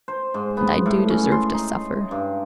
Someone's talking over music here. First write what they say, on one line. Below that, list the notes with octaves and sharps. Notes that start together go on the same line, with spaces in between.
And I do deserve to suffer.
C5
G#2
B3
A2
C#4
C6
D#4
G2